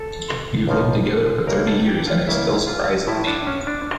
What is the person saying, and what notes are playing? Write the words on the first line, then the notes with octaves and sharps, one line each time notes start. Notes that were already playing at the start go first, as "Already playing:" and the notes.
We have lived together for thirty years and it still surprises me.
Already playing: A4
C#2 C#3 F3 A#3
C#2 C#3 G3 A#3 A#4
A4
G4
F4
C#2 C#3 G3 A#3 E4
F4
A2 F3 A3 E4
D4
C#4
D4